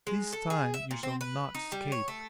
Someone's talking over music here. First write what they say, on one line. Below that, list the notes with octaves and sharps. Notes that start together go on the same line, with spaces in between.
This time you shall not escape.
G#3
A4
G#4
E5
A#2
C4
B4
D#4
G3
C#5
A3